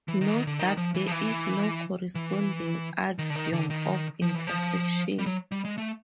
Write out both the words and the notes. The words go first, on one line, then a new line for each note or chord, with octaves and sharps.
Note that there is no corresponding axiom of intersection.
E3
D#3
E3
D#3
D3
D#3
F3
E3
F3
E3
E3
D#3
D3
D#3
D3
D#3
F3
E3
F3
G3
F#3
G3
G#3
A3